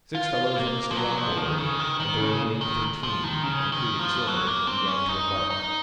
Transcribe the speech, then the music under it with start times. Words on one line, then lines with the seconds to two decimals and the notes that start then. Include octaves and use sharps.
Six fellows were to stay on board, and the remaining thirteen, including Silver, began to embark.
0.15 F4
0.56 A#3
0.91 F3
0.96 F#3
1.18 F3
1.37 D#3
1.58 C#3
1.79 D#3
2.00 D#3
2.21 C#3
2.61 D#3
3.03 F3
3.24 D#3
3.43 C#3
3.72 D#3
3.99 F3
4.27 F#3
4.47 A#3
4.67 C4
4.88 C#4
5.08 D#4
5.50 D#4